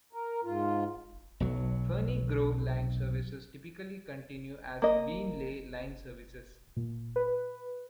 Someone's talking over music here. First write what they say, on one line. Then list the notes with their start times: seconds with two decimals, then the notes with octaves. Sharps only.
Ferny Grove line services typically continue as Beenleigh line services.
0.13 A#4
0.43 G#2 F4
1.40 B1 F#3
4.82 A#3 D#5
6.76 A#2
7.16 B4